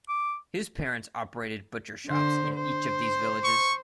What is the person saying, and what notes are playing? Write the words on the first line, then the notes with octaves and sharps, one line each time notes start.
His parents operated butcher shops in each of these villages.
D6
D3 C5
C5
C#6